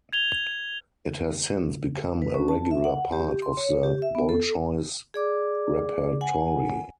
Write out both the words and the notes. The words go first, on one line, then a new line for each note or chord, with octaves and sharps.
It has since become a regular part of the Bolshoi's repertory.
G#6 F7 G7
B4
C#4
A5
E5
F#5
G4
C6
C#5
G4
E5
B3
A4
G#4 D5 D6
F#5 G#5